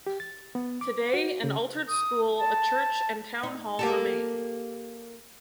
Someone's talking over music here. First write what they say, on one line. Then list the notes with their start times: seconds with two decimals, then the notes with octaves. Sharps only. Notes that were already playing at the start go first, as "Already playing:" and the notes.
Today, an altered school, a church and town hall remain.
0.06 G4
0.20 A6
0.55 B3
0.81 D6
1.14 F#4
1.44 C#3
1.88 D#6
2.38 A5
3.43 D#4
3.79 A#3 G4 A4